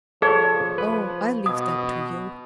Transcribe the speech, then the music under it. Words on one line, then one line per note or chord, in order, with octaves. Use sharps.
"Oh, I leave that to you."
F3 G#4 A4 C#5 D5
B4
B2 D#6